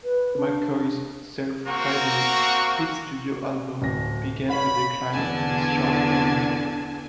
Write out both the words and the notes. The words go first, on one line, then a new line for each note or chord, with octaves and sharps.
McCoy's self-titled fifth studio album began a decline in his chart momentum.
B4
D4
A#3 C4 F#4 A#5 C#6
D1 A#6
C#5 F5 B5
E2 D3 D4 G#5 A5